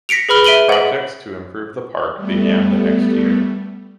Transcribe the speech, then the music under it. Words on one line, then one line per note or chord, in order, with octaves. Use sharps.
Projects to improve the park began the next year.
A#6 B6 C#7 D7 F7
G#4 B4 B5 F6 G7
E5 D7 D#7 F#7 G7
F#5 F#7
G3 A3 B3